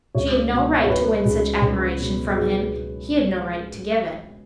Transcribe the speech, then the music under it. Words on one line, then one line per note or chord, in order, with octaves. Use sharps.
She had no right to win such admiration from him--he had no right to give it.
C#2 C#5
B2
C#5
F#3 B4
C#2 G#4
C#2
B2
F#3 G#4